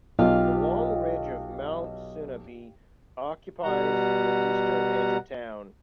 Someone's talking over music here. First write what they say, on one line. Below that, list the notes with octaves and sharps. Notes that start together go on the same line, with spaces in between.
The long ridge of Mount Sunapee occupies the eastern edge of town.
B1 F4 G4 F5
B2 G3 F#5 A#5